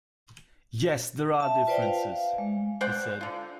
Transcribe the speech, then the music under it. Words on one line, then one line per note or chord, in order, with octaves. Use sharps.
"Yes, there are differences," he said.
E5 A5
F4 B4 C5 D5 G5
F5
G#3
C5 D5 F#5 G5
D3 F4